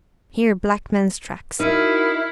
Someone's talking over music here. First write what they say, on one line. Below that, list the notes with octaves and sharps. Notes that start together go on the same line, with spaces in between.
Here black man's tracks.
D#4 E4 F#4 A#4 F5